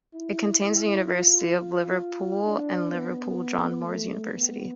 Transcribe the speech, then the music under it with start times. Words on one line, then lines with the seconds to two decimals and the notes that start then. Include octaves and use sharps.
It contains the University of Liverpool and Liverpool John Moores University.
0.14 E4
0.60 E4
1.07 F4
2.45 D4
2.92 B3
3.85 A3
4.32 B3